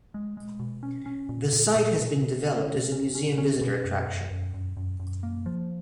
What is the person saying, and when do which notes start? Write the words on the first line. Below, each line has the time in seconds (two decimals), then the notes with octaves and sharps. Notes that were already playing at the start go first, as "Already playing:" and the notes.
The site has been developed as a museum visitor attraction.
0.14 G#3
0.37 G#3
0.59 B2
0.83 C#4
1.06 C#4
1.29 A#2
1.53 A#2
1.76 A#2
1.98 B2
2.22 B2
2.45 C#4
2.68 B2
2.92 C#4
3.15 C#4
3.38 C#4
3.61 B2
3.85 F#2
4.07 F#2
4.31 F#2
4.54 F#2
4.77 F#2
5.00 F#2
5.23 A#3
5.46 F3